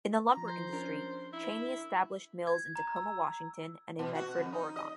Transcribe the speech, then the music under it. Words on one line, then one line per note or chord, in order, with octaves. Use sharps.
In the lumber industry, Cheney established mills in Tacoma, Washington, and in Medford, Oregon.
F3 A#5
C5
C#4 D4 A#4
E4
G#6
A#5
E6
B2
F#4
F2
D#4
D#5